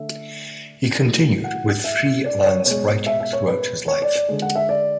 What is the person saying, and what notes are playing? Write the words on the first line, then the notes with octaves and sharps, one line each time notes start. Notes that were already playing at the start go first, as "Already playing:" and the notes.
He continued with free-lance writing throughout his life.
Already playing: D3 A3 E5
A2 F#3 A3
F#5
E5
D5
C#5
B2 G#3 C#5
E5
E5
C#5
B4
C#5
D5
D5
D3 G#3
F#5
E5
D5